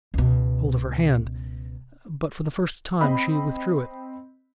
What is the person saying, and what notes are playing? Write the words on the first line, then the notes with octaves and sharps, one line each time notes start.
I got hold of her hand, but for the first time she withdrew it.
C#2 B2
C4 D#5 B5